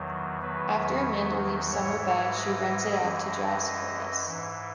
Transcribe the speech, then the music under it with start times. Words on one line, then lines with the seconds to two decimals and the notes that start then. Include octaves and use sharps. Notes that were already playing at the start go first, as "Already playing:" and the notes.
After Amanda leaves Summer Bay, she rents it out to Jazz Curtis.
Already playing: E2 D#3 F#3
0.41 E2 D#3 F#3 B4
1.71 G#2 E3 C#5
2.03 C#5
2.35 D#5
3.00 F#2 E3
4.29 G#2 E3